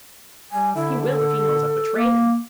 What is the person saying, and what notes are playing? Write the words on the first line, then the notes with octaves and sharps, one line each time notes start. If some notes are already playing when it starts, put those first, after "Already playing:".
"He will, if he knows I've betrayed him."
G3 G#5
D3 E4
A4
A#3